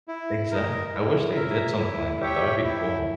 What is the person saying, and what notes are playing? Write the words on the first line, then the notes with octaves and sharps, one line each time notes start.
Exact I wish they did something like that. That would be cool.
E4
A#4 D#5
E4
A#4 E5
E4
G4 C#5 E5 G5
E4